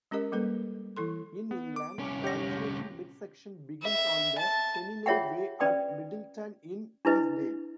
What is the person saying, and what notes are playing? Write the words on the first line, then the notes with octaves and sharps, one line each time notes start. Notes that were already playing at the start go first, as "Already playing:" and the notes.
In England, the alternative midsection begins on the Pennine Way at Middleton-in-Teesdale.
G#3 C#4 G4 A#4 D#5
G3 A#3 A4 B4
E3 E4 A4 C6
B3
D6
C2 C#4
G4 C#5 A#6
E5
A5
F4 G#4 C#5 E5 F#5 G5
C#4 B4 D5 G5 D#6
D4 E4 B4 D#5